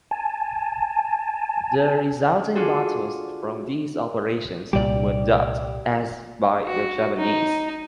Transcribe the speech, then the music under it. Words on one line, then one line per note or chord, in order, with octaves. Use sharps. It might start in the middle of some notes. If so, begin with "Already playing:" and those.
The resulting battles from these operations were dubbed as by the Japanese.
G#5 A5
D4 F4 F#4 G#4 A4
C2 A#2 G3 G4 D5
F#4
D#4